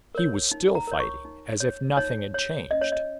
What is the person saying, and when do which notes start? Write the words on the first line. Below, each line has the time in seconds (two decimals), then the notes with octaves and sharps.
He was still fighting, as if nothing had changed.
0.15 A#4 C#5
0.51 D#4
0.75 A#5
0.87 A#4 C#5
1.00 C#6
1.25 D#4
1.60 C#5
1.97 D#4 C#5
2.34 C#5
2.71 C#4 D#5
2.81 C#5
2.92 D#5